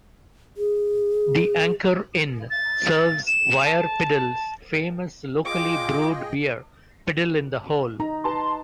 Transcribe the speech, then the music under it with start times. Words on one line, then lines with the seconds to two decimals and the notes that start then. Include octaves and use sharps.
The Anchor Inn serves Wyre Piddle's famous locally brewed beer 'Piddle in The Hole'.
0.57 G#4
2.50 A6
3.27 E7
3.65 A5
5.45 F4 G#4 D#5 G5 D6
8.00 D#4 A#5
8.24 B4 A5 C6